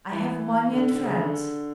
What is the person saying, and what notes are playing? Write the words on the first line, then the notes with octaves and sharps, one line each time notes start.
I have money and friends.
E3
D3
D3
C#3
D3